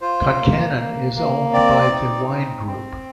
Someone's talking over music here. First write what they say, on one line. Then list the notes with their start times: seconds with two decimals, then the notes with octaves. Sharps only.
Concannon is owned by The Wine Group.
0.01 F4 C5
0.40 A#3
0.78 A#3
1.15 A#3
1.53 C4 D5
1.91 D#4
2.28 C4
2.66 C4